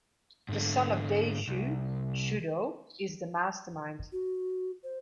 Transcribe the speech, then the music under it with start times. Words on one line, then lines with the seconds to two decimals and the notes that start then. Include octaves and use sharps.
The son of Daishu, Shudo, is the mastermind.
0.49 G#2 D3
1.48 C2
4.12 F#4
4.84 C5